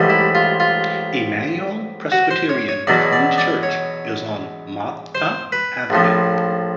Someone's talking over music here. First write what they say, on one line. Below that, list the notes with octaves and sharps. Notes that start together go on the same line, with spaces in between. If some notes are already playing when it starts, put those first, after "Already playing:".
Emmanuel Presbyterian Reformed Church is on Martha Avenue.
Already playing: A1 G#2 E3 G3
E4
F4
F4
F#4
C5
C#5
C#5
E2 B2 F#3 D5
D5
D5
C#5
C5
B4
A#1 A2 F3